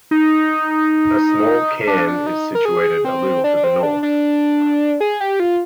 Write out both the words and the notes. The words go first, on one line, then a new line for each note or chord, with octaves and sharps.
A small cairn is situated a little to the north.
D#4
D4
D4
D#4
A#4
G#4
C4
D4
D4
C4
D4
D4
G#4
G4
F4